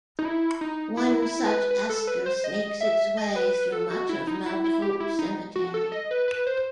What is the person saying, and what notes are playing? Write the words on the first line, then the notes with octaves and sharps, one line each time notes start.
One such esker snakes its way through much of Mount Hope Cemetery.
D#4
E4
D#4
E4
E4
B4
B4
A4
B4
C5
D#5
E5
D#5
B4
B4
A4
F#4
E4
D#4
E4
E4
G4
E4
D#4
F#4
A4
D#5
B4
B4
C5